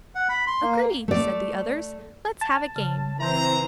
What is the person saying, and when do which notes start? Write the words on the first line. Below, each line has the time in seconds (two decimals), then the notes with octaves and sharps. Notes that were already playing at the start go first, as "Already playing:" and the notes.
"Agreed!" said the others, "let's have a game."
0.15 F#5
0.29 B5
0.47 C6
0.62 A#3
1.08 A3 D5
2.41 A5
2.76 C#3
3.20 E3 C4 C5 E5 A#5 C6 G6